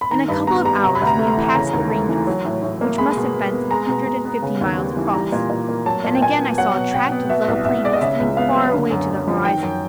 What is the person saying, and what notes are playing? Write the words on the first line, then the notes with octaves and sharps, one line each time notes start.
In a couple of hours we had passed the ranges, which must have been some hundred and fifty miles across, and again I saw a tract of level plain extending far away to the horizon.
B5
D#3 A#5
G2 B5
B3 A#5
G3 A#5
C3 A#5
B5
D2
A#5
A3
E3
C#3 A#5
D#2
A3
E3
F#3
A2
A2
A#3
G#3 B5
B2
B2
B3
G#3 A#5
B2
B2
B3
C#3
D#2
G3
E3
G3 A#5
A#2
A#2
A#3
F#3 A5
A#2
G5
A#2 G#5
B3
F#3 F#5
B2
B2 G5
B3
B2 E5
C2
C2 E5
G#3 D5
D#5
C#3 E5
C#2
B3 F5
F#3
D3
F#2
F#2
F3
D#3 G5
F#2